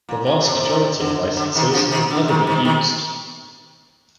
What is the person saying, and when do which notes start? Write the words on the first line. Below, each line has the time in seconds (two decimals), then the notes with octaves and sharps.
The vast majority of licences have never been used.
0.09 A#2
0.26 A#2
0.41 A#2
0.45 C3
0.64 C3
1.00 D3
1.37 D3
1.55 C3 D#3
1.73 D3 F3
1.91 C3 D#3
2.11 D3
2.28 C3 D#3
2.47 C3 D#3
2.65 C3 D#3